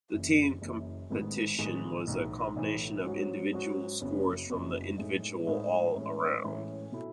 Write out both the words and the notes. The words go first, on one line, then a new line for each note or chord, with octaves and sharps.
The team competition was a combination of individual scores from the individual all-around.
F#1 F#2 E3
F#1 F#2 E3
A1 G#2 D#3 G#3 B3
A1 G#2 D#3 G#3 B3
B1 A2 E3
B1 A2 E3
G#2 F#3 C#4 F#4
G#2 F#3 C#4 F#4
F#1 F#2 C#3 F#3 B3
F#1 F#2 C#3 F#3 B3
A2 G#3 D#4
A2 G#3 D#4
A2 E3 G#3 C#4
A2 E3 G#3 C#4
B2 A3 E4